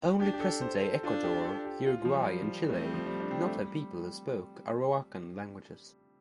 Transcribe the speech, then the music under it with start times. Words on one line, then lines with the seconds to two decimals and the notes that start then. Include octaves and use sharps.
Only present-day Ecuador, Uruguay and Chile did not have peoples who spoke Arawakan languages.
0.19 D4 G4
0.33 G4
0.40 A4
0.61 C5
0.82 A4
1.03 D4 F4
1.24 G4
1.45 A4
1.65 G4
1.86 F4
2.05 F3
2.13 G3
2.42 F3
2.69 A3 C4
2.83 G3
2.94 F3
3.06 G3
3.20 D4
3.31 C4
3.43 A3
3.53 G3